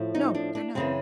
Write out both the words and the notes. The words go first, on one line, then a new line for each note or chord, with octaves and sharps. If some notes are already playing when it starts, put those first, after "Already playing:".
No, they're not.
Already playing: A2 F3
D#4
D4
D4
F#2 C#3 E3 C4